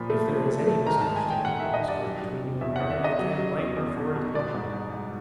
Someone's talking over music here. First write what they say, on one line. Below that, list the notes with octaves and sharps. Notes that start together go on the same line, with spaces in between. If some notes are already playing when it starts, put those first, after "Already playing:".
If there is any misunderstanding and discord between you and Mary, I can't blame her for it at all.
Already playing: A#2 F3 B5
A3
F3
A3
A3
D#3 A#5
G#3 A5
G#5
D#3 G5
D#3 F#5
D#3 E5
D#5
G2 D5
F#3
F#3
E2
E2 E5
E2 F#5
E5
C#3 D#5
F#3
F#3
E2
E2
B2
B2
G#3 D5
G#2
G#2
G#2